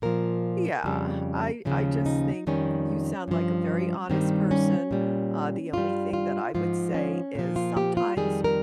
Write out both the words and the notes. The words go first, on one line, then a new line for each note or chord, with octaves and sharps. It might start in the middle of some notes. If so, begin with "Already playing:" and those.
yeah, I I just think you sound like a very honest person, uh, the only thing that I would say is sometimes
A#2 F3 A#4
F2 C#3 G3
D#2 C#3 F3 C#4
D#4
F2 D#3 G3 C#4
G2 F3
G2 D#3 G3 C4
C#4
A#2 G3
G2 G3 F4
F4
G#2 F3 F4
C#4
A#2 F3
F4
G4
F4
F2 D#3 G3 G#4
A#4